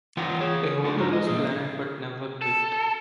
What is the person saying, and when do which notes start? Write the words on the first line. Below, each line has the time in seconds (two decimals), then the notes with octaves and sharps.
A hotel was planned but never built.
0.17 E3 F4 F#5 G5
0.41 G#4 C#5
0.84 D4 F#4
0.97 G#3 D#4 A#5
1.13 D#5
1.27 A#2 G#4
2.42 A4